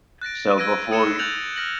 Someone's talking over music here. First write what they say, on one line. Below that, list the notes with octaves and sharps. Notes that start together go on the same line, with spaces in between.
So, before y
F#6 A6 A#6 D7
E6 G#6 A#6 D7 D#7
D#6 G#6 C#7 D#7 E7 G7
F#6 G6 A6 F7 F#7
F6 A#6 F#7